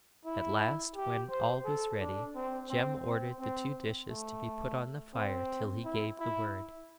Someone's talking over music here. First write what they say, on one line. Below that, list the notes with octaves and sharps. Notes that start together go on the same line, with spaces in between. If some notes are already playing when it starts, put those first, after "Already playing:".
At last, when all was ready, Jem ordered the two dishes to be put on the fire till he gave the word.
E4
G4
C5
A4
D4
C4
C4
C4
C4
A3
C4
E4
E4